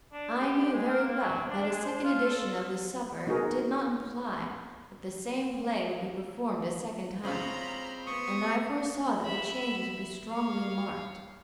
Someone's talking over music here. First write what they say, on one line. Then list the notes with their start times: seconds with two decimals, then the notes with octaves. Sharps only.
I knew very well that a second edition of the supper did not imply that the same play would be performed a second time, and I foresaw that the changes would be strongly marked.
0.13 D4
0.40 G4
0.73 G#3
0.88 A#4
1.04 A#3
1.20 F#3
1.50 D4
1.70 G#3
1.84 C5
2.04 F4
2.25 A4
3.27 B3 D#4 F#4 G#4 A#4
7.23 G#3 C4 C#4 F4 A#5 B5
8.07 B3 C#6 D#6
9.24 E5 B5
10.28 C#5 F5